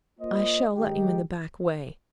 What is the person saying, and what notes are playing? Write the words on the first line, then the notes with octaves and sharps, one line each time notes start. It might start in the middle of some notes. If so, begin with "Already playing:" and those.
I shall let you in the back way.
A#3 F4 C5 D#5
D#3 G#3 D#4 G4